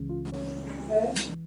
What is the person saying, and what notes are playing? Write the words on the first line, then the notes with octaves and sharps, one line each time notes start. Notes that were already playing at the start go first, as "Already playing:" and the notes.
The band consists of members of the bands Happy Diving and Big Bite.
Already playing: C#2 C#3 E3
F4
C#4 C#5
E3